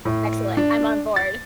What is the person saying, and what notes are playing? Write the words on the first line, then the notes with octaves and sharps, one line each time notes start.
excellent, I'm on board.
A2
D4
A6